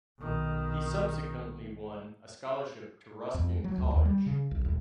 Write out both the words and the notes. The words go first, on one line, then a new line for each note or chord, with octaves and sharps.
He subsequently won a scholarship to Ruskin College.
B1 D#3
F2
F#3
C#2
D#2
G3
C#3
B1
D#1